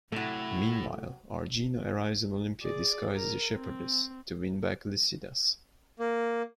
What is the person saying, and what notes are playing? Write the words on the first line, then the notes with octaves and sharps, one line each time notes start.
Meanwhile, Argene arrives in Olympia disguised as a shepherdess, to win back Lycidas.
A2 C3 F#3 A3 E4
G#4 D5
A#4
C4
A#3